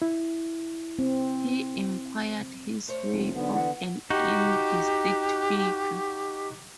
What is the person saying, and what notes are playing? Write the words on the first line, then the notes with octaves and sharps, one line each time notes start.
He inquired his way of an indistinct figure.
E4
C4
A3 C5 C#5
F1
B1 D3 B3
E3 F#5
D#4 F#4 G4